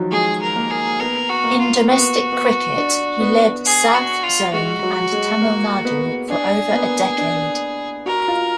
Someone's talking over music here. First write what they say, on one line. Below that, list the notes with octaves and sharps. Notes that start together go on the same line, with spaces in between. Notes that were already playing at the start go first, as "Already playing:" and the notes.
In domestic cricket, he led South Zone and Tamil Nadu for over a decade.
Already playing: D#3 F3 F#3
G#3 G#4
A#4
A#3
G#4
B3 A#4
F#4
A#3
F4
B3 F#4
B3
D4
B3
G#4
F#4
F4
G#3 F#4
F#3
G#3
A#3
B3
D4 G#4
A#3
B3
D4
F#4 A#4
F4